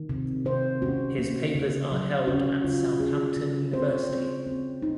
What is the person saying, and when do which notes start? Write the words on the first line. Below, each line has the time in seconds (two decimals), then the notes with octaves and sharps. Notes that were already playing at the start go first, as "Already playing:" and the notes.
His papers are held at Southampton University.
Already playing: D#3
0.09 C3
0.45 C3 C5
0.82 C#4 F#4
1.18 A#3
1.55 C#3
1.91 F#3
2.27 C#4 F#4
2.64 C#3 F4
3.00 C#4 G#4
3.37 C#3
3.73 C4 C5
3.83 C#5
3.92 C5
4.10 C4
4.46 C4
4.82 D#4